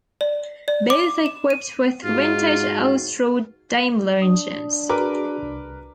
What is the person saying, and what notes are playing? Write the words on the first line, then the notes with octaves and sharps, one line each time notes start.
Both are equipped with vintage Austro-Daimler engines.
D5
D5
D6
E7
D#7
G#2 F4 F#4
D4 D#6
F#4 G#4 A#4 B4 D6
C2